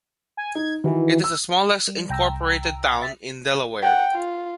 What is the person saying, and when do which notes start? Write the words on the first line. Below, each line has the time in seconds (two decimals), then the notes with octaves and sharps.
It is the smallest incorporated town in Delaware.
0.37 G#5
0.55 D#4 G#6
0.84 D#3 E3 F#4
1.24 E6
1.88 G3
2.09 C2 G5 A#5 E6
3.01 E5 A6 B6
3.82 F#5 G5
4.14 F4